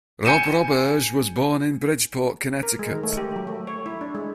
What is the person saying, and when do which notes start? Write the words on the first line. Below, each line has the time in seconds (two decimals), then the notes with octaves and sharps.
Rob Roberge was born in Bridgeport Connecticut.
0.25 G#5 G6 C#7 D#7 E7
2.63 A#4
2.79 G#3
2.92 D#3
3.03 A3
3.17 G4
3.36 F#3
3.47 A3
3.67 C#5
3.86 E4
4.01 D4
4.15 G#3